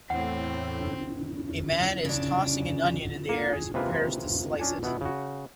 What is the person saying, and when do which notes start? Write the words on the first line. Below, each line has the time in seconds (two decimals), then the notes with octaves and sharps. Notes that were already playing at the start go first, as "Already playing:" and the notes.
A man is tossing an onion in the air as he prepares to slice it.
0.10 E2 A2 C4 F#5
2.05 C#3 D4
3.29 A#3
3.53 G#4
3.74 C3 G#3 A#3 F4 B4
4.60 C#4 D4 G#5
4.83 B2 B3 E4
5.01 C#3 F#4